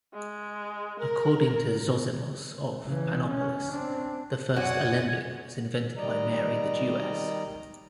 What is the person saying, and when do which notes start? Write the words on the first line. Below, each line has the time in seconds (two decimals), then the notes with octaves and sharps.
According to Zosimos of Panopolis, the first alembic was invented by Mary the Jewess.
0.14 G#3
0.99 A#4
2.86 C#3 E3
3.29 C#4
3.71 C4 D4
4.56 F#2 F#4 D5 F#5 G#5
5.98 D#3 G3 D5 D#5 A#5